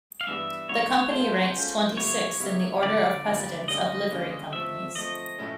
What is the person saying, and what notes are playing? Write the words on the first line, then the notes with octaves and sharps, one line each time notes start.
The Company ranks twenty-sixth in the order of precedence of livery companies.
F5
G2 E3 G3 B3 E5
G2 E3 G3 B3 C#5
G#3 C#4 F4 A4 C5
G#3 C#4 F4 A4
C#3 F#3 B3 E4 G4 C#5
C#3 F#3 B3 E4 G4
F2 D3 G3 A#3 D5
F2 D3 G3 A#3
D3 G3 A#3 C#4 D#5
D3 G3 A#3 C#4
F3 A3 C4 E5
F3 A3 C4 D#5
A2 F3 A3 C#4 E4